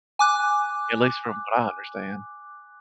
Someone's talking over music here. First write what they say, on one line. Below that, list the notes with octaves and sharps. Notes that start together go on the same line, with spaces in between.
at least from what I understand.
G#5 D6 F#6